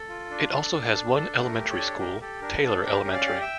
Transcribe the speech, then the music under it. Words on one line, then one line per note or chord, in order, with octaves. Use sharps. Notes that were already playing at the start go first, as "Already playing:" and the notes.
It also has one elementary school, Taylor Elementary.
Already playing: A4
F4
D4
A4
D4
D4
D4 A4
A3
A#4
G4
A4 C#5
D4
G4 A#4
G4 A4
D4 A#4
D4 A4
G4 A#4
C#4
D5 F5
G4
E5 G5